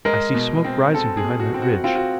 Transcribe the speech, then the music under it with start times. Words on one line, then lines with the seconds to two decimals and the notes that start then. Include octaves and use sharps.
"I see smoke rising behind that ridge."
0.05 G#3 A#4
0.35 B2
0.65 C4
0.95 C4 A4
1.17 G#4
1.24 B2
1.40 F#4
1.54 C4
1.62 F#4
1.84 C4 F4
1.96 F#4